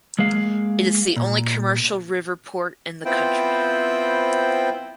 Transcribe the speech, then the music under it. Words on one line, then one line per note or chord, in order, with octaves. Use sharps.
It is the only commercial river port in the country.
G#3 A#3 G#4 F5
A#2
B3 C4 E4 F4 C5 G5